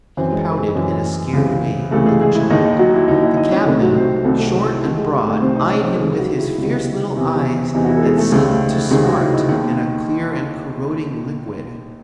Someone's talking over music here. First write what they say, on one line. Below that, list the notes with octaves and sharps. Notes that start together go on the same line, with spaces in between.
He pouted in a scared way like a child. The cabman, short and broad, eyed him with his fierce little eyes that seemed to smart in a clear and corroding liquid.
F#2 E3 C4 C5
G#3 G#4
A4
G#3 G#4
F#2 E3
C#2 C3 E3
C#2 C3 E3 A3 A4
G#3 G#4
G#3 G#4
E4
D#2 D#3 D#4
D#4
F#3 F#4
E4
D#2 D#3 D#4
E4
D#4 D#5
C#4 C#5
C2 C3 D#3 A3 A4
F#3 F#4
C4 C5
C2 C3 D#3 A3 A4
A4
G#4
F#4
E4
C2 C3 D#3 A4
G#3 G#4
G#3 G#4
A3 A4
C2 C3 D#3 C4 C5
D#4 D#5
C#4 C#5
C4 C5
A4
C#2 C3 D#3 G#3 G#4
G#4
F#3 F#4
E4
C#2 C3 D#3
E2 C3 E3
E2 C3 E3 D#4
F#4
E4
A4
G#3 G#4
A3 A4
C#2 C3 D#3 A3 A4
C#2 C3 D#3 G#3 G#4
F#3 F#4
E4
D#4
D#2 D#3